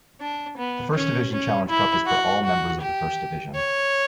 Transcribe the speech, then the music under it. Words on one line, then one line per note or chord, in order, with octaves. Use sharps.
The First Division Challenge Cup is for all members of the First Division.
D4
B3
C#4
C#4
E4
F#4
F#4
G4
C#5